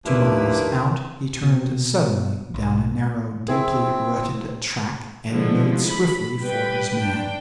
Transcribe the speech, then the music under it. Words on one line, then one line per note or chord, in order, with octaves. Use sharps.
Two miles out he turned suddenly down a narrow, deeply rutted track, and made swiftly for his man.
D#2 F3 A#3 D4 E4 B4
B2
B1
C4 E4 G#4
D3 F3 G#3 A3 E4
B5
G3 B4 G5 B5
D4 G5